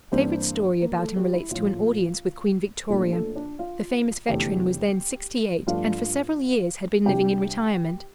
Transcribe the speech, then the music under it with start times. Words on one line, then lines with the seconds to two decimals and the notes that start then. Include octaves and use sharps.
A favorite story about him relates to an audience with Queen Victoria. The famous veteran was then sixty-eight and for several years had been living in retirement.
0.12 G2 E3 A#3 C4 D4 C5
0.81 A#3 A#4
0.99 A3 A4
1.16 G3 G4
1.33 E4
1.50 A#1 A2 F3 F4
2.89 A#1 A#2 G3 A3 D4 G4
3.13 A3 A4
3.35 D4 D5
3.59 F4 F5
4.28 F1 E2 D3 A3 G4 G5
5.67 G2 F3 A3 D4 F4 F5
7.05 C2 C3 G3 D4 G4 G5